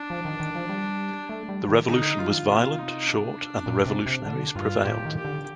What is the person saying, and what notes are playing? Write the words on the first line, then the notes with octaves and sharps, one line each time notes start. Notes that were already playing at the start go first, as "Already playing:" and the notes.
The revolution was violent, short, and the revolutionaries prevailed.
Already playing: D4
F3
D#3
D#3
F3
G3
A3
G3
D#3
D3 D#4
G3
F3 F4
D#3
D3
C3 F4
D#4
D4
A#2
C3
C3
D3 D4
G2 F4
A2 G4
D#3
G4
D3